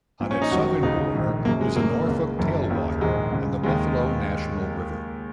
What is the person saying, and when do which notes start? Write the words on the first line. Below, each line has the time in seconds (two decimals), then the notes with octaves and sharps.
On its southern border is the Norfork Tailwater and the Buffalo National River.
0.20 A#1 A#2
0.31 C#4
0.42 D#4
0.51 G#1 F#2 D#3 F#4
0.83 C#2 C#3 D#4
1.14 A#1 G#2 D#3
1.45 F#1 F#2 C#3 A#3
1.61 G#3
1.76 F#1 F#2 C#3 A#3
2.08 C#2 C#3
2.39 F#1 F#2 D#3
2.70 D#2 C#3
3.01 A#1 G#2 D#3 G#3
3.32 C#2 C#3
3.63 D#2 D#3 G#3